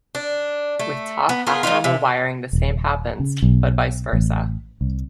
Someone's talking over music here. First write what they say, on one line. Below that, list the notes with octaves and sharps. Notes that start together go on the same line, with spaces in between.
With top half-normal wiring, the same happens but vice versa.
D4
A3
B3
B3 F4 G#4 A#4
G#3 D4 D#4 F4
C3
D#1
C#3
B1
A1
C2